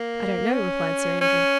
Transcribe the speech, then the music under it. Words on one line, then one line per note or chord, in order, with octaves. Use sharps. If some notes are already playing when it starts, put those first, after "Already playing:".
"I don't know," replied Sir Andrew.
Already playing: A#3
C#4
C#4